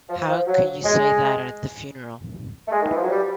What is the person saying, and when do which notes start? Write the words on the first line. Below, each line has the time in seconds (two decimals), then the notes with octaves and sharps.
How could you say that at the funeral?
0.10 F3
0.28 F3
0.47 F#3
0.84 G#3
2.68 A3
2.72 G#3
2.82 D#3
2.89 E3
2.96 F3
3.03 F#3
3.10 G3